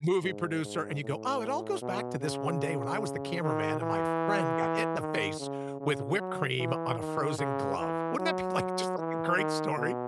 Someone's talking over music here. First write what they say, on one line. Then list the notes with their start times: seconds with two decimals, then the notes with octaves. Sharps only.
movie producer and you go, "Oh, it all goes back to this one day when I was the cameraman and my friend got hit in the face with whipped cream on a frozen glove." Wouldn't that be, like, just like a great story?
0.22 G#2
0.63 G#2
1.02 A2
1.82 B2
2.21 C#3
3.41 D#3
3.80 E3
5.00 D#3
5.39 C#3
5.80 C#3
6.19 F#3
6.59 E3
6.99 D#3
7.38 C#3
7.78 E3
8.19 F#3
8.98 E3
9.37 D#3
9.78 B2